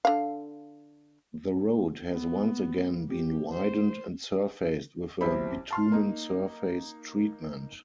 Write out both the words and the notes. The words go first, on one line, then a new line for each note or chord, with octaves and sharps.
The road has once again been widened and surfaced with a Bitumen Surface Treatment.
D3 F5
B3
G4
C5
B1 C4 E4 G4 C5 B5
A5 C6 F6
A#3 D#4